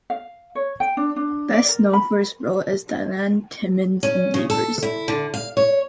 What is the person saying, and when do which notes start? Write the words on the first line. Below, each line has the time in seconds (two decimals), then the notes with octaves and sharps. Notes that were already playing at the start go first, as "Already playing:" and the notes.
Best known for his role as "Dylan Timmins" in Neighbours.
0.10 F5
0.55 C#5
0.80 G5
0.97 D4
1.16 D4
1.53 D5
1.68 A#4
1.93 B5
4.03 C#4
4.34 C#3
4.50 A4
4.83 E4
5.08 D3
5.34 F5
5.57 C#5